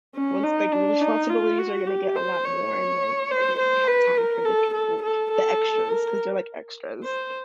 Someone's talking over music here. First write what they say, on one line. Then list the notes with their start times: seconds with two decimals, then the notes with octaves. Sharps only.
Once the, like, re responsibilities are gonna get a lot more and then, you know, you don't really have time for the people, the extras, 'cause they're like extras.
0.15 C#4
0.43 D#4
0.72 D4
1.01 D#4
1.30 F4
1.58 F#4
1.87 G4
2.16 C5
2.45 C#5
3.30 C5
3.59 C5
3.88 B4
4.17 A#4
4.45 A4
4.74 A4
5.02 A4
5.31 A4
5.89 A#4
7.04 C5